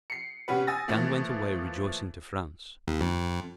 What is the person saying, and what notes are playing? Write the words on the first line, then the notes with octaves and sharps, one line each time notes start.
Gan went away rejoicing to France.
C7 C#7
C3 G3 B3 C#4 F#4 B4
G#5 D#6 E6 A6 A#6
E3 F3 A3 A#3
D#2
F2